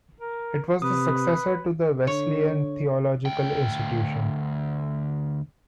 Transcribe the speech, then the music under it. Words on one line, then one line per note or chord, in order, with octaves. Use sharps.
It was the successor to the Wesleyan Theological Institution.
A#4
C3 B4 D#6
D3 C#5
D2 G5